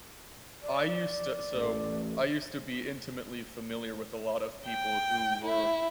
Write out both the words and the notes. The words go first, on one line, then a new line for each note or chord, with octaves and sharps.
I used to so, I used to be intimately familiar with a lot of people who were,
D5
A1 A3
G5
E4